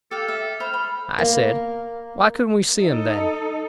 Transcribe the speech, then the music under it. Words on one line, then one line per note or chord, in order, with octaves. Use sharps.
I said, why couldn't we see them, then?
G4 A4 F5
E5
C5 B5 F6
B5
A#3
D#4 A4